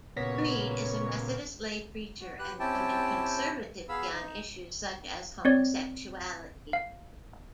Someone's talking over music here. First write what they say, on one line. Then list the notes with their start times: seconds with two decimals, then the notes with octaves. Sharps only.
Breed is a Methodist lay preacher and voted conservatively on issues such as homosexuality.
0.16 A#2 C#3 F#3 B3 B4 C#5 A#6 B6
2.20 F#4
2.39 G4 B4 F#6
2.60 C4 C#4 E4 G4 G5 A5
3.89 B3 G#4 F5 B5 E6
4.13 D#4
5.45 C4 C#5 D5
6.73 F5